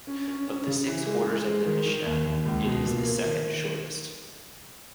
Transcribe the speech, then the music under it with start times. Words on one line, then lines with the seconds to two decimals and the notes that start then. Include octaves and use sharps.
Of the six orders of the Mishnah, it is the second shortest.
0.07 C#4
0.28 C#4
0.48 C#4
0.67 C#3
0.87 E3
1.06 G#3
1.27 G#3
1.47 G#3
1.66 D#3
1.86 D#3
2.06 D#2
2.26 D#2
2.45 C#2
2.65 B2
2.86 A#2
3.05 A#3
3.25 D#3